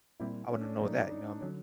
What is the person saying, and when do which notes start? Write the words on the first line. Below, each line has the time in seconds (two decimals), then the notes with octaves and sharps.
I wanna know that, you know, and
0.20 A#2 G3 C4 E4
0.51 C#4
0.60 D4
0.76 D4
0.80 A#2 F#3 A3 D#4
0.96 D4
1.11 D#4
1.26 D4
1.41 D3 F#3 C#4